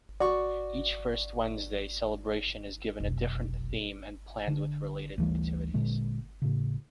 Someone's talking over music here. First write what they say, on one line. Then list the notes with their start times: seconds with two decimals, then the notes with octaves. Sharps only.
Each First Wednesday celebration is given a different theme and planned with related activities.
0.20 F#4 D5 C#6
3.00 F1 B1
4.48 D3
5.18 D2 E3 G3
5.74 A#2 D3 G#3
6.42 A2 C#3